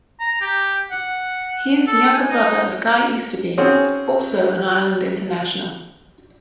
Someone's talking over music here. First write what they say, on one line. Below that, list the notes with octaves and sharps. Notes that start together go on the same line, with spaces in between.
He is the younger brother of Guy Easterby, also an Ireland international.
A#5
G4
F#5
A4
G#5
D#4
C4 C#4 F#4 G#4 C#5